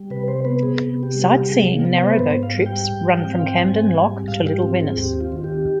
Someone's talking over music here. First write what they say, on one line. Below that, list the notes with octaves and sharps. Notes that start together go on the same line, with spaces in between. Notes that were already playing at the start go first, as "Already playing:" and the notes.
Sightseeing narrow-boat trips run from Camden Lock to Little Venice.
Already playing: G3
C3 B4
C5
B3 B4
G#4
C3
G4
G3
G4
C3 G#4
B3
C5
B4
G#2 C5
F5
G3
G5
G#2
C4
F5
G5
G#2 G#5
G3
G#2 F5
G4
C4 F4
G#4
D#2 G4
F4
D#3
G4